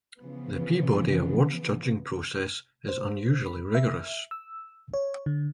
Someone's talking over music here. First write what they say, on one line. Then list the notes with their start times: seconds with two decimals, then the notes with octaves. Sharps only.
The Peabody Awards judging process is unusually rigorous.
0.19 C#3 E3 F3 B3
2.89 C5
3.46 B5
3.75 E5
4.31 E6
4.94 C#5
5.26 D3